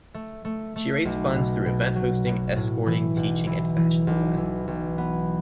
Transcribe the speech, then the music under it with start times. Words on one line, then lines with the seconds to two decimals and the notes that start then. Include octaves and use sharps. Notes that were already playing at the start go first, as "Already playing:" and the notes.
She raised funds through event hosting, escorting, teaching and fashion design.
0.14 A3
0.45 A3
0.76 A3
1.05 B1
1.36 B2
1.66 B2
1.95 F#3
2.26 B2
2.56 A2
2.86 E3
3.16 B1
3.47 E3
3.77 E3
4.07 B1
4.37 E3
4.68 B1
4.98 B3